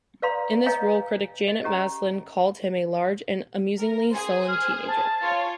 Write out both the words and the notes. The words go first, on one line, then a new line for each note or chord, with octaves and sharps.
In this role, critic Janet Maslin called him a "large and amusingly sullen teenager".
B4 D5 F5 A#5 C6
B4 C#5 D#5 F5 G#5 A#5
D#5
C#4 G4 A#5
A#4
G#4 C5
F6
A5
F4 C#5